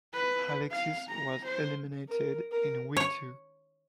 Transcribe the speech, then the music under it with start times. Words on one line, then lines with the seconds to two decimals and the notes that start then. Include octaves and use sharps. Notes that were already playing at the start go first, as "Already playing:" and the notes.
Alexis was eliminated in week two.
0.13 B4
0.71 F5
1.09 A#5
1.44 C5
2.08 A#4
2.51 A#4
2.97 C#5